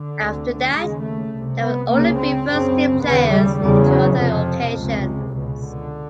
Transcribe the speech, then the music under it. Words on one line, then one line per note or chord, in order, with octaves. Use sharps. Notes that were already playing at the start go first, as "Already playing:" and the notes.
After that, they would only be first team players in two other occasions.
Already playing: D3
D2 C3
D#2 C#3 G#3
A3
C2 C3
B3
C#2 C#3 A#3
C4
F#2 C#3
D#2 C#3 B3
G3
E2 C#3 G3
F#3
F2 C3 F3
C#2 C3
C#2 B2
D3